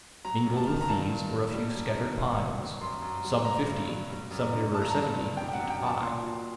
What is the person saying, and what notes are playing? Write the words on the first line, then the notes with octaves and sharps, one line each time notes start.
Mingled with these were a few scattered pines, some fifty, some nearer seventy, feet high.
F#3 A#5
F#2
A5
D#3
A#5
G2 A5
G2
F#3
G3
F#2
D#3
G2
G2
F#3
F#2 C6
F#2
F#3
G2 A#5
G2
F#3
G3
F#2
D3
G2 A5
A#5
G2 A5
F#3
F#2 G5
G5
F#5
F#2
G5
F#3
A5
A#2 C6
A#2